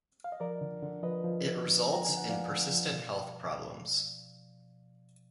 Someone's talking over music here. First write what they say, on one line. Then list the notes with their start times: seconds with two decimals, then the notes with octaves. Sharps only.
It results in persistent health problems.
0.24 F5
0.32 D#5
0.40 F3 A#4 D5
0.61 D3
0.82 D3
1.03 F3 B4 D#5
1.24 F3
1.45 D3
1.66 D3
1.87 B3
1.93 A#5
2.05 D3 G#5
2.17 F#5
2.29 F3 D5 F5
2.50 D3
2.71 F3
2.91 B2